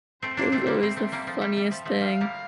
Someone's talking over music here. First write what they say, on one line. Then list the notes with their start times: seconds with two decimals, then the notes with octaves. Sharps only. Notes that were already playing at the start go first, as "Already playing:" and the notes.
It was always the funniest thing.
0.22 A3 C4 C5
0.37 A#3 D4
0.52 A3 C4
0.67 G3 A#3
0.82 A3 C4 E5
0.96 A3 C4
1.12 G3 A#3
1.27 F3 A3
1.41 G3
1.57 G3
1.71 F3
1.85 F3 A3
2.01 G3 F5
2.21 G3 A#3